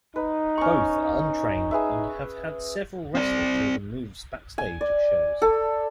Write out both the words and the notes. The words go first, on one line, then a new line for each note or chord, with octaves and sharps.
Both are untrained and have had several wrestlers show them moves backstage at shows.
D#4 B4
C#4 C#6
G#4 B4 E5
C4 D5
G#5
D5
A4